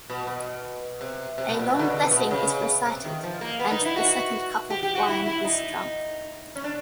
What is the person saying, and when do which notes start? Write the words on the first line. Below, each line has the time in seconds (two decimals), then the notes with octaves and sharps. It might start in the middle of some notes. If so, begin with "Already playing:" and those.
A long blessing is recited, and the second cup of wine is drunk.
0.10 B2
0.27 B2
1.01 C3
1.38 C3
1.49 B2
1.59 A#2
1.69 B2
1.79 D3
1.90 C#3
2.01 C3
2.11 B2
2.31 C#3
2.86 C3
3.04 D#3
3.23 F3
3.41 A#3
3.59 B3
3.71 D#4
3.85 E4
3.96 F#4
4.70 G4
4.83 G4
4.95 F#4
5.08 E4
5.26 E4
5.44 D#4
6.55 C#4
6.64 D4